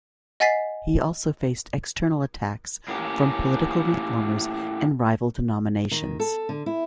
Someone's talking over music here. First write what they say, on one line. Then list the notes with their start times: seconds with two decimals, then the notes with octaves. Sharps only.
He also faced external attacks from political reformers and rival denominations.
0.40 D#5 F#5 G#5 A6 B6 C7
2.88 A2 A#3 C#4 G4
5.91 D#3
6.20 A4
6.49 D3
6.66 E4